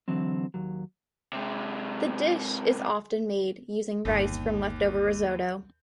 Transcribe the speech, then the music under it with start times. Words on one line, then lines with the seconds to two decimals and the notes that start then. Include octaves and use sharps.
The dish is often made using rice from left-over risotto.
0.08 D3 E3 F#3 C4
0.54 D#2 F#3
1.33 C3 G#3
4.05 G1 D#2